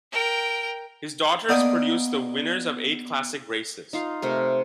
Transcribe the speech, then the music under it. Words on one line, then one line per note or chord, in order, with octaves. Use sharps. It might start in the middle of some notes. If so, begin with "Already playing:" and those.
His daughters produced the winners of eight classic races.
A#4 G5
A#3 B3 D4 D5 D#5 G#5
D#4 F4 F5
C3 A3 A#4